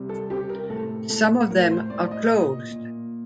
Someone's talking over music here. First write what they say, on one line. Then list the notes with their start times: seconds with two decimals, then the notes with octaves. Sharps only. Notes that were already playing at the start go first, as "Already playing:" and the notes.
Some of them are closed.
Already playing: C3 G3
0.09 A4
0.30 C3 G4
0.49 A#4
0.70 A2 A4
1.10 A2 A4
1.51 A2 A#4
1.71 C5
1.90 A2 D5
2.11 D#5
2.31 A#2
2.71 A#2